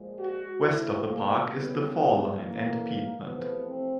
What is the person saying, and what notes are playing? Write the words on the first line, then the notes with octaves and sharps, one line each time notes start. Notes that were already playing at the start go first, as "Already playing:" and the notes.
West of the park is the Fall line and Piedmont.
Already playing: A#2 F3 G#3
F#4
A#2 F3 A3 E4
A#3
F2 C#3 E3 G3 B3
F2 C#3 E3 A#3
E2 C3 F3 A3 B3
C4